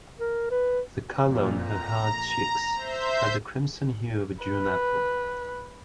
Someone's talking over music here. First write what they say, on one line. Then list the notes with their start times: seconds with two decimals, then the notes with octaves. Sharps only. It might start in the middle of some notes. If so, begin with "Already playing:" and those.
The color on her hard cheeks had the crimson hue of a June apple.
0.19 A#4
0.51 B4
1.18 F2 A#2
1.62 A#5
2.75 C5 E5 G6
4.44 B4